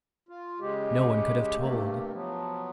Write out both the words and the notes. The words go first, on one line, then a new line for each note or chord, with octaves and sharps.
No one could have told.
F4
C#3 G#3 G4
G2 C3 A3 A#3
F3 F#3 B3